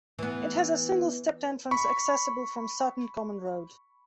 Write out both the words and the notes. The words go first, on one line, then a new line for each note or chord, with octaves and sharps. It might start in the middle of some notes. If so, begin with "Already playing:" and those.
It has a single stepped entrance accessible from Sutton Common Road.
E3 B3
B5 C#6